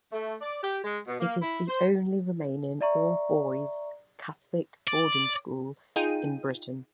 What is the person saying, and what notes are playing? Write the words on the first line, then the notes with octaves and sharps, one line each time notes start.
It is the only remaining all-boys Catholic boarding school in Britain.
A3
D5
G4
G#3
B2
A#3
E4
C5
D5 E5 A#5 C#6
D5
D#4 F4 G#4 G5 D#7